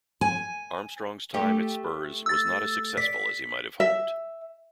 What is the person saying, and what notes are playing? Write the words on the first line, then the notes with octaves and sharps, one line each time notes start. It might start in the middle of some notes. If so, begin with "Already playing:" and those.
Armstrong's time at Spurs was not as successful as he might have hoped.
G#5
A3 G4
E6 A6
D5 B6
E5